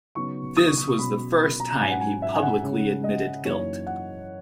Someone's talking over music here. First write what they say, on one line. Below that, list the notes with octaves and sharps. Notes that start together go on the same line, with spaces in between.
This was the first time he publicly admitted guilt.
C#3 F#3 B3 D#4 C#6
D#6
C#6
C#6
C#6
B2 F#3 C#4 B5
B5
A#5
A#5
G#2 F#3 C#4 G#5
F#5
G#5
E5
G#5
F#5
C#3 G#3 C#4
D#5
F#2 E3 A#3 D#4 C#5
F#5